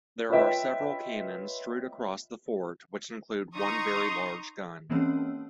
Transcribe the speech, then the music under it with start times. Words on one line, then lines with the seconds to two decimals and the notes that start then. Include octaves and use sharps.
There are several cannons strewed across the fort which includes one very large gun.
0.30 F4 B4 C#5 D#5 E5 G5
3.55 D#4 A#5 C6 C#6 D#6
4.90 E3 A#3 C4 C#4 C#5 E6